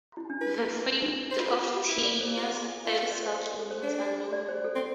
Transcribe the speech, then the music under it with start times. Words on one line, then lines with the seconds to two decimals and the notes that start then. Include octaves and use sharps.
The fate of Tinya's third self remains unknown.
0.17 E4
0.30 D4
0.41 E4 B4
1.31 C5
1.39 F4 B4
1.47 A4
1.51 F4 B4
1.64 F4 G4
1.76 F4 G4
1.88 E4
2.04 D5
2.21 C5
2.37 F4
2.85 F4 B4
3.11 D5
3.22 C5
3.34 A4
3.59 A4
3.71 C5
3.83 D4
4.33 D5
4.49 C5
4.65 A4
4.75 C4